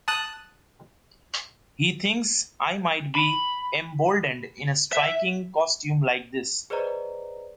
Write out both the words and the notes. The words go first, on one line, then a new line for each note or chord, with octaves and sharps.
He thinks I might be emboldened in a striking costume like this.
A5 D#6 F#6
B5
E5
G#4 B4 C5 D5 D#5 A#5